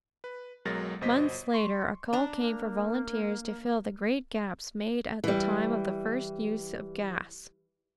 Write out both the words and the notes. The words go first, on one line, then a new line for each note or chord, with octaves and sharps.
Months later a call came for volunteers, to fill the great gaps made at the time of the first use of gas.
B4
B1 F#3 G#3 A#4 A6 A#6
G1 B2 C5 D#5 B6
C6 C#6
D4 A#5
A#3
E3 G3